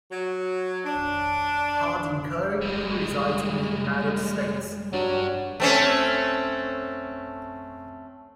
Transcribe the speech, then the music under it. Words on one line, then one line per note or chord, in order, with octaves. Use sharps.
Hardin currently resides in the United States.
F#3
D4
G3 G#3
F#3 G3 D4
A3 C4 C#4